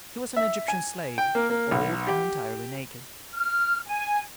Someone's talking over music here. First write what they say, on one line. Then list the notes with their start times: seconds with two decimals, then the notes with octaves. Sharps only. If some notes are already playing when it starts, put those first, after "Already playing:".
He was an Egyptian slave, old and entirely naked.
0.36 E5
0.68 G#5
1.18 G5
1.35 A#3
1.50 A#3
1.71 B1
2.07 G4
3.34 F6
3.86 G#5